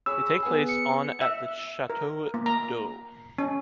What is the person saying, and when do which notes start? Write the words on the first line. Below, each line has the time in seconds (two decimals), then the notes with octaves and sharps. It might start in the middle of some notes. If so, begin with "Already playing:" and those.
They take place on at the Château-d'Œx.
0.06 G#4 C#5 B5 E6
0.42 B3 G#4
0.68 C#7
1.21 E5
1.90 A#4
2.34 A#3
2.46 A#5
3.38 C#4